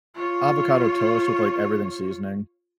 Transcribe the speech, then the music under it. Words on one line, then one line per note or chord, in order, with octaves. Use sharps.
avocado toast with, like, everything seasoning.
F4 C#5